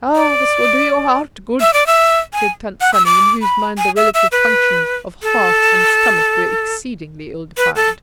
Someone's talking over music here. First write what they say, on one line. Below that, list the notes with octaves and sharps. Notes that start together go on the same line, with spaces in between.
"Ah, this will do your heart good," said Tant Sannie, in whose mind the relative functions of heart and stomach were exceedingly ill-defined.
D5
E5
D5
E5
G#5
F#5
E6
D6
B5
G#5
E5
E5
B4
A4
B4
A4